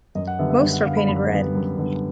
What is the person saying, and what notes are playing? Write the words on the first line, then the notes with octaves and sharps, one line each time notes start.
Most are painted red.
F#2 D#5
F#5
D3 G3 B3 E5
E5
F#2 E5
F#5
D3 G3 B3 F5
B5
F#2 B5
D3 G3 B3
F#2
D3 G3 B3